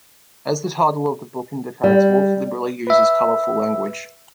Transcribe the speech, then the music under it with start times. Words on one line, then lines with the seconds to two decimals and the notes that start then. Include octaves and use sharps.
As the title of the book indicates, Wolfe liberally uses colorful language.
1.84 G3
2.87 B4 E5